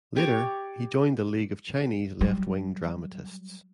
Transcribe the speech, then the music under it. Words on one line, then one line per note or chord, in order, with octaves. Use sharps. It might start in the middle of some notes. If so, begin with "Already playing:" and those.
Later, he joined The League of Chinese Left-Wing Dramatists.
G4 C#5 D5
F#3 G3